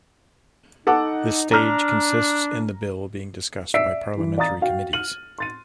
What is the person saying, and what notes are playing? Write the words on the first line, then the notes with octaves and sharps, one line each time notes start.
This stage consists in the bill being discussed by parliamentary committees.
D#4 A4 F#5 D6
D4 A#5 F6
D5 E5 E6 B6 C7 D7
E3
D5 F5 A#5 D#6 A6
F#4 F5 G5
F6 D#7 F#7
C6 A6 D#7